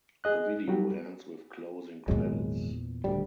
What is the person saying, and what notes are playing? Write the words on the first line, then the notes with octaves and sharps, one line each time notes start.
The video ends with closing credits.
G#4 D#5 F#6
F#3 G3 F#4 G4
G#1 E2 A#2 F#3 G#3
D#1 D2 G3